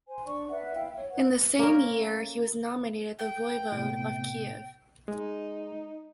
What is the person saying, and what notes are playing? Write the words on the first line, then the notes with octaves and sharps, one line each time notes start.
In the same year he was nominated the voivode of Kiev.
C5 G#5
D4 D5 C#6
B4 D5 E5 F#5
E4 E5 F5 G5
C#5
B4 C#5 F#5
A#3 C#4 A#4
G5
A2 C3 B3
G#3 D#4